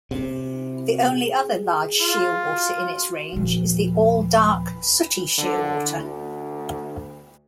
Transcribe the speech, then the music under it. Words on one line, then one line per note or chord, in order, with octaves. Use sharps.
The only other large shearwater in its range is the all-dark sooty shearwater.
C3
F4
D#1 F3
D3
D2